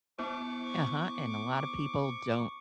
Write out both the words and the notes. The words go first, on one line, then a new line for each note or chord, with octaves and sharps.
Uh-huh, and a lotta people don't
B3 E4 C5 C#6 D6